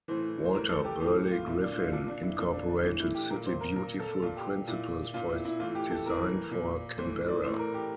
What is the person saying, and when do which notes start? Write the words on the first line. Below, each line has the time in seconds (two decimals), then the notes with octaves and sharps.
Walter Burley Griffin incorporated City Beautiful principles for his design for Canberra.
0.08 A2 E3 C5
0.45 C5
0.54 A2 E3 A#4
0.69 A4
0.85 G4
1.00 A2 E3 G4
1.31 F4
1.46 A#2 E4
1.62 D4
1.73 F4
1.77 E4
1.92 A#2 D4
2.08 D4
2.23 E4
2.38 A#2 D4
2.54 D4
2.69 D4
2.84 A2 E3
3.00 E4
3.15 G4
3.30 A#2 A#4
3.46 C5
3.61 A#4
3.76 A#2 A#4
4.00 A4
4.22 A#2 F4
4.37 G4
4.68 A#2 E4
5.14 A#2 F4
5.29 E4
5.45 E4
5.60 A2 E3 F4
5.75 G4
5.91 A4
6.06 A2 E3 A#4
6.51 A#2
6.98 A2 E3 C5
7.28 D5
7.44 A2 E3 C5
7.59 A#4
7.74 G4